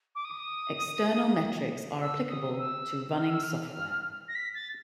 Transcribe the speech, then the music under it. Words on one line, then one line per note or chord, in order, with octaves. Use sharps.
External metrics are applicable to running software.
D6
D#6
E6
D#6
E6
F6
E6
F6
A#6
B6
A6